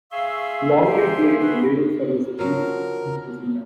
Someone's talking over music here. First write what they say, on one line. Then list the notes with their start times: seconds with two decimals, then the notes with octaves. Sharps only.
Longley blamed Lay for his brief imprisonment.
0.12 G#4 E5 F5 C6 C#6 E6
0.83 G4 C5 F5
1.39 F#4 B4
2.39 F3 F#3 A#4